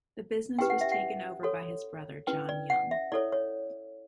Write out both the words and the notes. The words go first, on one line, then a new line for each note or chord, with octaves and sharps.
The business was taken over by his brother John Young.
C#4 E4 G4 B4 G5
F#5
E5
F#5
F#4 A4 C#5
C#4 E4 B4 G5
D5
F#5
E5
E4 A4 C#5 D5
C#5